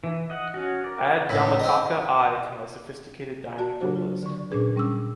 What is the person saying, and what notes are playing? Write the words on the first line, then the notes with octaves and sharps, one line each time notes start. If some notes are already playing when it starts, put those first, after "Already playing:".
Add Yamataka Eye to my sophisticated dining playlist.
E3
D#5 F#5
C#4 F#4
A#4 D5
C#2 A2 A#5 B5
C4 D#5
F#4 D5 A5
C#3 F#3 D4 F#4 G4 C5
F4
D3 D5 C#6
A#2 C#4 D4 G#4 B4
G3 C#4 D6 E6